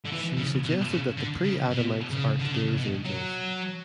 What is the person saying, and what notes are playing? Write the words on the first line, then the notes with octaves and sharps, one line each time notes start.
She suggested that the pre-Adamites are today's angels.
D3
E3
C#3
B2
C#3
D3
C#3
B2
C#3
D3
C#3
B2
F#3